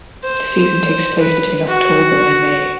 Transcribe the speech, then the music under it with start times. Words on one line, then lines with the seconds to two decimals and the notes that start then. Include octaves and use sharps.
The season takes place between October and May.
0.24 C5
1.20 B4
1.67 F#4